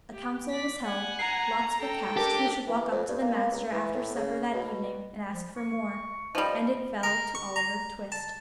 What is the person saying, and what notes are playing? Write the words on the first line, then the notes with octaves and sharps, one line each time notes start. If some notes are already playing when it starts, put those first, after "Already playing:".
A council was held; lots were cast who should walk up to the master after supper that evening, and ask for more; and it fell to Oliver Twist.
G4
D5 B6
F#5 G#5
A#5 C7
A4 G5
D4 G4 A#4 A5
E3
F2
G2
A#3
A#3
C#2
E3
A2
C#3
B2
F3
C#6
F3 G3 D#5
A#4
C#6
A#5
A5